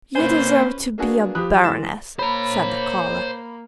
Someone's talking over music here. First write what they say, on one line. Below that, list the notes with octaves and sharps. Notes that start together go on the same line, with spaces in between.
"You deserve to be a baroness," said the collar.
A#3 C#4 B4 C5 G#5
A#3 B3 D4 F#4 G#4
F3 G4 B5 D#6 F#6
E3 G#3 A6 E7
A#3 C5 C#5 A#5 B5